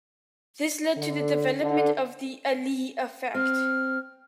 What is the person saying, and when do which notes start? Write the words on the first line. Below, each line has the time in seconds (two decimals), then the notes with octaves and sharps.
This led to the development of The Allee effect.
0.97 D3
1.60 D3
3.35 C4 F6